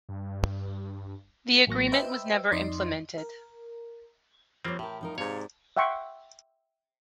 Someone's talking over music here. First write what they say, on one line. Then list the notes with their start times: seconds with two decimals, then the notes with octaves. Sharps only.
The agreement was never implemented.
0.09 G2
1.67 A1 F#3 A#3 C#6 A#6
1.92 B4 C5 D#5 E5 G5 E6
2.52 F2 D#4 D5 D#5 C6
3.18 A#4
4.65 F3 G3 A#3 C4 C#5
4.79 A2 G4 A#4
5.01 F3 D#4 A#4
5.18 G#2 C3 C#5 D5 F5
5.77 E5 F#5 G5 C6 C#6